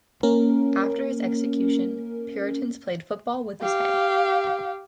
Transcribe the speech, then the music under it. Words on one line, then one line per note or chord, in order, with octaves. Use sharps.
After his execution, Puritans played football with his head.
A#3 C#4 A#4
G4 F5